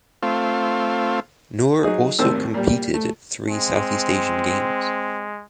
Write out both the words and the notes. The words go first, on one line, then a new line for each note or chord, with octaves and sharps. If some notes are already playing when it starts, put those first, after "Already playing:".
Nur also competed at three South East Asian Games.
A3 C4 F4
F#3 D#4 G#4
G#1 D#2 A2 A#3 C4 E6
A#2 G3
A3
G#3 C4